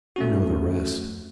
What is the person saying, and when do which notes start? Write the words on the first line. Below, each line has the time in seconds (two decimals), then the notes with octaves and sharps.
You know the rest.
0.16 A3 C#4 F#4